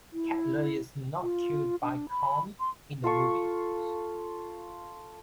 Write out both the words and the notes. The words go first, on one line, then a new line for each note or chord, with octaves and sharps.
Katla is not killed by Karm in the movie.
E4
F4
D4
B5
C6
F4 A4 C#6